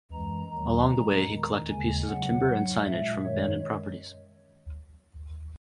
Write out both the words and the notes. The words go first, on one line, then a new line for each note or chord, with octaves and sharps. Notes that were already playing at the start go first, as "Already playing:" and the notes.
Along the way he collected pieces of timber and signage from abandoned properties.
F#2 E3 G#3 A#5
D#2 D#3 F#3 A#5
A#2 G#3
E2 D#3 G#3
D#2 C#3 G#3 G#5
E2 C#3 F#3 F#5
G#2 F#3
A#2 G#3 E5
F#2 D#3 G#3 C#5